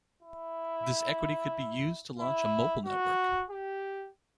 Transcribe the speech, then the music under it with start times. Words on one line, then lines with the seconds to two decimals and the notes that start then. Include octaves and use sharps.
This equity could be used to launch a mobile network.
0.23 E4
2.19 E4
2.85 F#4
3.51 G4